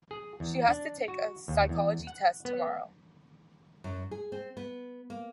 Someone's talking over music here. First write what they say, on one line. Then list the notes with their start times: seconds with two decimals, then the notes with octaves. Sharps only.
She has to take a psychology test tomorrow.
0.11 G#4
0.40 E2
0.68 D4
1.08 F#4
1.48 D#2
1.69 E2
2.07 F#5
2.45 B3
3.84 F#2
4.11 G#4
4.32 C4
4.57 B3
5.10 A#3